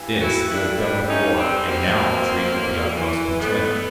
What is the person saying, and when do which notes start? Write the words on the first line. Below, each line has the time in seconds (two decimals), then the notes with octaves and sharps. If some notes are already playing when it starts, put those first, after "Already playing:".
This you have done before, and now treat with the utmost contempt.
Already playing: G2 E3
0.22 E4 F#4
0.37 A3
0.51 D4 E4
0.79 G3 D4 E4
1.09 C#4 D#4
1.23 G3
1.37 C4 D4
1.66 B2 A#3 C4
2.10 B2
2.53 A2
2.96 E3
3.39 A2 A3 B3